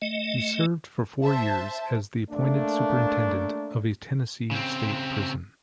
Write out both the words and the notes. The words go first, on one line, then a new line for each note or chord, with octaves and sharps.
He served for four years as the appointed superintendent of a Tennessee state prison.
A3 D#5
C5 E5 A5
A3 A#3 D4
C#3 C4